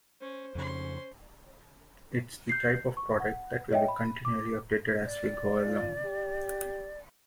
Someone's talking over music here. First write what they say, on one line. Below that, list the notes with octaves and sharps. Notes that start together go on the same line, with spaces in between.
It's the type of product that will be continually updated as we go along.
C#4 C5
F2 C#3 C#4 C6
G6 C7
C#6
F#5
C#5 D#5 E5 G5
B5
D6
D5
F4
G4